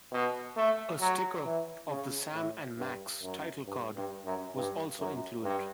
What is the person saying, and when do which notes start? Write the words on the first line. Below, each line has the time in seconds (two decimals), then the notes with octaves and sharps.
A sticker of the Sam and Max title card was also included.
0.12 B2
0.56 A3
1.00 F#3
1.45 E3
1.89 C#3
2.34 A2
2.78 G2
3.22 F#2
3.66 G2
3.96 G2
4.25 F#2
4.55 G2
4.99 F#2
5.43 G2